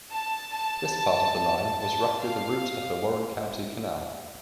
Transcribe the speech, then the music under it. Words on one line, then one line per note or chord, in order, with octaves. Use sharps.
This part of the line was roughly the route of the Warren County Canal.
A5
A5
A5
F5